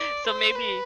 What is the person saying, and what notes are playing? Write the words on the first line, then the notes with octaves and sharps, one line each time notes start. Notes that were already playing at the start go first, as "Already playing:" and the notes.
So, maybe
Already playing: D5
C5
B4